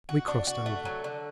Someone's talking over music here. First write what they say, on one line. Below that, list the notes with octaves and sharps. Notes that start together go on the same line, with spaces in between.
We crossed over.
F#4
D4
F#4
A3
F#3
D3